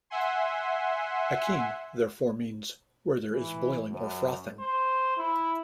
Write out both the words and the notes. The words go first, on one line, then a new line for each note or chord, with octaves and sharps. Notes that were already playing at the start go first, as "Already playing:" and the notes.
Akean therefore means "where there is boiling or frothing".
E5 F#5 G#5 C6
E3
F#2
C5
E4